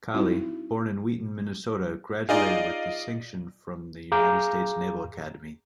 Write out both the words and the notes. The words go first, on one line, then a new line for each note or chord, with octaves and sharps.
Colley, born in Wheaton, Minnesota, graduated with distinction from the United States Naval Academy.
G3 C4 D#4 E4 F#4
D#4 F4 G#4 D5 D#5 F5
G#4 F5 A#5 D6 G6